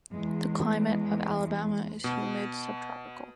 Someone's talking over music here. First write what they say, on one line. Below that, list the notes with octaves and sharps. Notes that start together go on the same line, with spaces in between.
The climate of Alabama is humid subtropical.
E2 G#3
B2